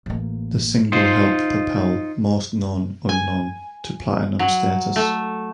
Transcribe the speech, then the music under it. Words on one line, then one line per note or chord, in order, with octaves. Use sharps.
The single helped propel "Most Known Unknown" to platinum status.
A1 A#3
D#4 F4 C5
G#5
F#3
A3